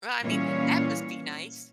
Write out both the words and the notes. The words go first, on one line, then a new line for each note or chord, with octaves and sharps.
Well, I mean, that must be nice.
A#2 E3 G3 C#4 C#5 F5